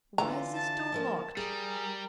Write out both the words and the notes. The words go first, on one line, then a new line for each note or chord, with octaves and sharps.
Why is this door locked?
D3 E3 F4 A#5
A5
E3 F3 A#3
G3 G#4 A#4